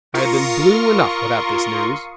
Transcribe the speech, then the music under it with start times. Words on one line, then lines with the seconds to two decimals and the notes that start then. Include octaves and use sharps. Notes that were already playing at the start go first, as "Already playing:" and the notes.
I had been blue enough without this news.
0.14 F4 A#4 C6 C#6 D#6